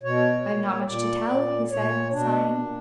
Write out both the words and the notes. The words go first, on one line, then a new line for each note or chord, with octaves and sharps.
"I have not much to tell," he said, sighing.
B2 C#5
A#2
A#2 D5
A#2
A#2 C#5
B2 D4
A#2